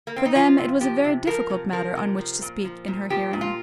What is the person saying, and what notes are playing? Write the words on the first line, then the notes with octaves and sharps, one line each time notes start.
For them it was a very difficult matter on which to speak in her hearing.
A#3
C4
D#4
F3 F4
C3
F3 G4
C3
F3 A#4
C3
F3 A#4
C3
F3
A#2
F3
A#2
F3 G4
A#2
F4